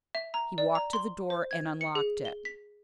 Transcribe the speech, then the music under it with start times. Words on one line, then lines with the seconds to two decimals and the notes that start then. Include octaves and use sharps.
He walked to the door and unlocked it.
0.15 E5
0.34 A#5
0.58 D5
0.75 A#5
0.93 C6
1.30 C5
1.51 G#6
1.81 C#7
1.95 G#4
2.25 G7
2.45 B6